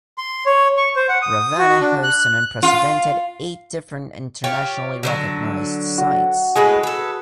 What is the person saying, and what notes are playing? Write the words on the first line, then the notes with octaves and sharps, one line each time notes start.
Ravenna hosts an unprecedented eight different internationally recognized sites.
C6
C#5
C#6
C5
F#5
D#6
F#4
D4
F#6
F4
F4 G4 C#5
D3 E3 F#3
F#4
A2 G#3 G#4 B4
A4 B4